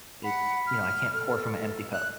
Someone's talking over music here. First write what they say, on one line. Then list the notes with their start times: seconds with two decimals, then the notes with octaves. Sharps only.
it, you know I can't pour from a empty cup.
0.24 F#5 B5
0.66 F6
1.13 A4
1.93 F#6